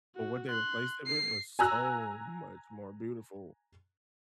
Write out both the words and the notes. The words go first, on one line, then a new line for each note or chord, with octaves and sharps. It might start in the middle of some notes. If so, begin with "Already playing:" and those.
but what they replaced it with was so much more beautiful
F#4
C6 F#6
C7
G#5 A#5 E6 F#6